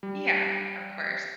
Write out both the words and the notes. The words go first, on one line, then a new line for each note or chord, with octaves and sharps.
Yeah, of course.
G3